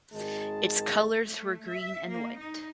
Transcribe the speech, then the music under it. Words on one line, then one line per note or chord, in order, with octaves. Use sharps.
Its colours were green and white.
G#1 D#3 G#3 A5
A3
E5
A#3
D#4